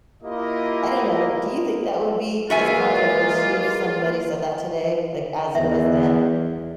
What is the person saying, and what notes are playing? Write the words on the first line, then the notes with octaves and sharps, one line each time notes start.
I don't know. Do you think that would be as controversy if somebody said that today, like, as it was then?
A#3 E4 F4 G4 D#5
E3 G#3 A#3 F4 F#4 E5 G#5
E2 E5